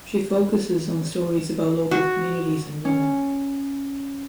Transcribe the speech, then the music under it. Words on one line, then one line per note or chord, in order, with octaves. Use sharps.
She focuses on stories about local communities and women.
F#4
C#4